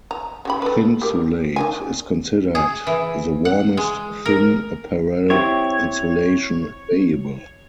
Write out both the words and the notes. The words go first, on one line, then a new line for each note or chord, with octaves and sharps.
Thinsulate is considered "the warmest thin apparel insulation" available.
A#5
C#3 G4 B5
A4 B4
G4 A#4
D#3 D4 G#5
G#4
E3
F#5
G#3
A#4
C4 E4 G4 C#5